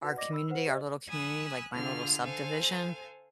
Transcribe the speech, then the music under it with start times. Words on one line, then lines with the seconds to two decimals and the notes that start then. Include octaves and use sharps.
our community our little community, like, my little subdivision,
0.01 D#4 F#4 B4 F#5
0.17 D5 D#5 D6 A#6
0.33 B5 E6
0.49 B4 C5 F#5
0.66 G4 C5 D#5 E5
1.09 G#5 B5 D#6 E6 F#6
1.74 D3 F4 G#4 F6
2.21 A4 C5 F5 G#5